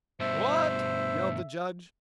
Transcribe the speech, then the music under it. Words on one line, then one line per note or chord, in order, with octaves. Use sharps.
"What!" yelled the Judge.
G2 B2 C5 E5